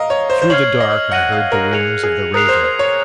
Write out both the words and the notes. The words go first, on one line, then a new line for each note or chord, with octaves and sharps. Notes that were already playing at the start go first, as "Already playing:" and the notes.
Through the dark I heard the wings of the raven.
Already playing: A#4 D#5 F5
C#5
C5
C5
C#5 F6 G#6 C7 F#7
D#5
F#5 F#6 A#6 D#7 F#7
F5
A#4
G#4 G#6 C#7 F7
G#4
A#4 D#6 F#6 C7 F7
C5
C5
C#5